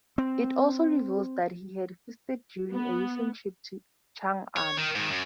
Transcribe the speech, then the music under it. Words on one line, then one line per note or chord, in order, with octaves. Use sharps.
It also reveals that he had feasted during a recent trip to Ch'ang-an.
C4
B3
C#5
D#3
G#2 D#3
F#2